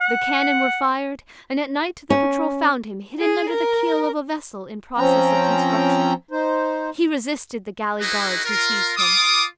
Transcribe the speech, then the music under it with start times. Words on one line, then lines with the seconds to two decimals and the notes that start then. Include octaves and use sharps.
The cannon were fired, and at night the patrol found him hidden under the keel of a vessel in process of construction; he resisted the galley guards who seized him.
0.01 F#5
2.10 C#4
3.19 G#4
3.49 A#4
4.98 F3 C4 C#4 G5 A#5
6.31 D#4 C5
8.00 D#4 E4 F#4 G#4 B4 D#5
8.45 F4 A#4
8.97 F4 D6 D#6